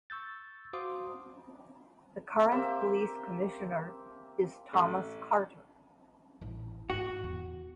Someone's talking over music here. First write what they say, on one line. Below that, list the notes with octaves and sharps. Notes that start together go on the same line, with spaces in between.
The current Police Commissioner is Thomas Carter.
C#6 E6 G6 A6
F#4 C5 F5 C6 D6 D#6
A#3 C4 G4 E5
A1
A1 E4
G#2 G#3 F#4
E2